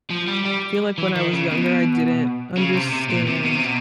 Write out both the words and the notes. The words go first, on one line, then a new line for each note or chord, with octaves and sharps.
feel, like, when I was younger, I didn't understand
F3
G3
G3
E3
D#3
C#3
B2
C#3
C3
C3
A#2
C3
B2
C3
B2